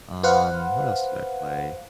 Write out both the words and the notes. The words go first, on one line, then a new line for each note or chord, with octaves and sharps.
um, what else did I play?
B4 C5 F5 F#5